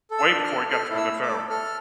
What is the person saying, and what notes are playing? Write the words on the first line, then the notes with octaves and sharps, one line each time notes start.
way before he got to the NFL.
A4
E6
D4
F6
A4
A4 F6
E4
E6
A3
D6
A4
A4 F6